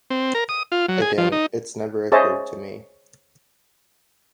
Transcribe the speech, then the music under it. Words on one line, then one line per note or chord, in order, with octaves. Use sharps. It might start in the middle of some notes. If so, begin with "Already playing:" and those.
I don't, it's never occurred to me.
C4
A#4
D#6
F4
F#3
G#4
F3
D#4
G#4 C5 C#5 D#5 E5 A5